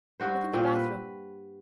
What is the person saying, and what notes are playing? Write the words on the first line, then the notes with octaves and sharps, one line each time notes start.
Look in the bathroom!
G2 F#4 C5
A#2 C4
B4